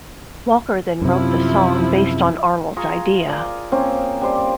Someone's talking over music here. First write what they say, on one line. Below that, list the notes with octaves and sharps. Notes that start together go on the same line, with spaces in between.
Walker then wrote the song based on Arnold's idea.
F#2 C3 F3 E4
F4 G#4 A#5 C#6
A#4 D5 F5 G#5
A#3 C4 C#4
G3 C5 D5